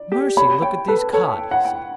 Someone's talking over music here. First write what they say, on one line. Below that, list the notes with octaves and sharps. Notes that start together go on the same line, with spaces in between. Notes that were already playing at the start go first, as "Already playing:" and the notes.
"Mercy, look at these cod!" he said.
Already playing: D5
G4
C#5 B5
C#5 G5
A4 B4
A4 C#5
G5
F#5
G5